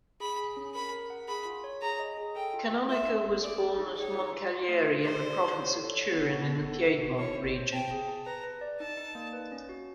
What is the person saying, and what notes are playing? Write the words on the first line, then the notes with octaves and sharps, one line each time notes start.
Canonica was born at Moncalieri in the province of Turin in the Piedmont region.
G#4 B5
G#4
C#4
A#4 B5
A#4
F#5
G#4 B5
F4
C#5
G#4 A#5
D#5
G#4
A4 G5
F4
F4
F4 E5
C#4
A3
G#4 D5
G#4
D#4
G#4 C#5
F4
F4
F4
A3
F4
G4 C5
D5
G4
C#5
A4
C#5
B3
D#4
B3
A4
D#4
F#4
E4 C#5
C5
C5
G5 A5
G#4
A5
B4 A#5
B4
D5
D#4 A5
D#4
A#3
B4
C#4
F#4